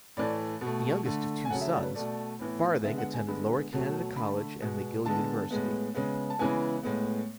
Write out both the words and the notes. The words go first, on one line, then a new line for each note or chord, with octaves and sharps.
The youngest of two sons, Farthing attended Lower Canada College, and McGill University.
A2 E3 A3 D5
B2
A3
D3 A3
G#5
C#3 F#3 A3 F#5
E5
D5
B4
B2 A3 D5
A2 E3 B3
D3 G#3 B3 E5
F#5
G#5
D3 G#3 B3 B5
B2 F#3 A3
D3 A3 B5
B2 G#3 B3
D3 G#3 B3 A5
A2 G#3 B3
C#3 G#3 B3
A5
C#3 E3 G#3 B3 G#5
A2 G#3 B3